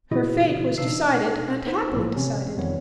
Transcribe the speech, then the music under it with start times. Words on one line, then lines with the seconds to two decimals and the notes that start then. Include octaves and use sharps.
Her fate was decided and happily decided.
0.11 A#2 C#3 E3 E4 F#4 D#5
0.78 B2 D4 D#4 E6 C7
1.66 B3 D#4 B4 C5
1.93 B1 A2 F3 A#3
2.16 C3 E3 C4 C#4
2.57 F2 D#3 G3 B3 C#5